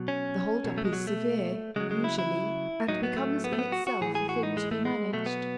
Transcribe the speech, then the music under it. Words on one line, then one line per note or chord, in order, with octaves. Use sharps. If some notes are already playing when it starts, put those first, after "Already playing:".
The hold-up is severe, usually, and becomes in itself a thing to be managed.
Already playing: B2 F#3
C#4
B2 F#3
A3
G#3
F#3
A3
C#3 F#3 G#3
G#3
E4
E4
A2 F#3 D#4
B3
A3
B3
A3
B3
F#4
F#4
A2 E3 G#4
G#4
F#4
D#4
G#3
A3
G#3
B2 F#3 A3
B3